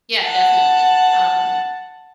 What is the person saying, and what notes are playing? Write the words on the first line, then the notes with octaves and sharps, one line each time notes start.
Yeah, definitely. Um,
F#5 A5